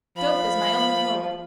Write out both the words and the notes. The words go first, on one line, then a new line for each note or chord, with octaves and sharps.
Dope is my only hope...
F3 B5